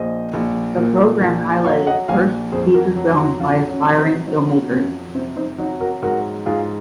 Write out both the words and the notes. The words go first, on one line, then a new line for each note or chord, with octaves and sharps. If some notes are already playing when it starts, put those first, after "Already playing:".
The programme highlighted first feature films by aspiring filmmakers.
Already playing: A#1 C5 D#5
A#1
A#2
A#1
F#3 C#5 F5
D#5 F#5
A#1 F5 G#5
F2 G#4 C5
F#4 A#4
F#3
D#4 F#4
F#3 C#4 F4
C#4
C3
C4 D#4
F#3 C4 D#4
F2 C#4
C3 C4
C4 D#4
F#3 D#4 F#4
F#4 A#4
G#2 F#4 A#4
G#2 F4 G#4